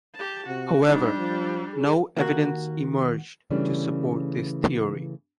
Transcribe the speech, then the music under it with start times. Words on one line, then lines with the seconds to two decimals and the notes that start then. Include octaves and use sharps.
However, no evidence emerged to support this theory.
0.15 G4 A5
0.47 C3 F#4
0.85 G3 D4 D#4
1.18 F3
1.74 G#4
2.17 D#2 A#3 F#4
3.50 C#3 E3 G3 A3 C#4 D4